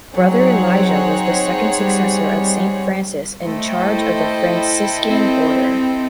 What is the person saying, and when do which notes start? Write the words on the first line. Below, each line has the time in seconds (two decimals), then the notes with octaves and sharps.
Brother Elijah was the second successor of St. Francis in charge of the Franciscan order.
0.14 F#3 C4 D#4 G#4 C#5 F#5
1.79 G3
3.43 A3 E4 A4 C5 D#5 G5
5.08 C4